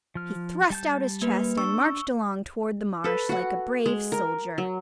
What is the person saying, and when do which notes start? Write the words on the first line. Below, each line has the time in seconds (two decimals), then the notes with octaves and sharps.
He thrust out his chest and marched along toward the marsh like a brave soldier.
0.15 F3 F6
0.70 G3 A5 G6
1.22 A#3 B4
1.58 D4 C#6 E6
3.04 A4 B4
3.29 F#4 F#5
3.86 G#3
4.12 A#4
4.58 F#3